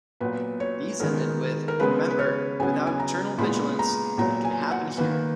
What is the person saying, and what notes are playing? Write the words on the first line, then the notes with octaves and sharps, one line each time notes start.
These ended with Remember: without eternal vigilance, it can happen here.
A#2 F#3 B3 B4
C#5
D#3 G#3 B3 A#4
A#4
C#3 G#3 B3 B4
B4
C#5
C#3 F#3 B3 G#5
G#5
A#5
A#2 G#3 B3 B5
A#5
A#2 F#3 B3 A#5
G#5
F#5
D#3 A#3 B4